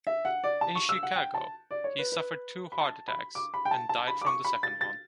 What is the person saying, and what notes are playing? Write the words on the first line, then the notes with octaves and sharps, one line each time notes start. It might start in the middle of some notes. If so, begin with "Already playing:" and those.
In Chicago, he suffered two heart attacks, and died from the second one.
E5
F#5
D5
A5
C#6
E6
F#5
G5
A5
D5
C#5
B4
B4
B5
A5
B5
D6
B5
G5
A5
A5
B5
D6
C#6
B5
A6
A6